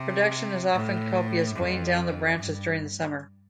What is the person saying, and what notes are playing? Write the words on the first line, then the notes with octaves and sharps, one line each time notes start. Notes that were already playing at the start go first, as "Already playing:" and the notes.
Production is often copious, weighing down the branches during the summer.
Already playing: C3
A2
F2
G2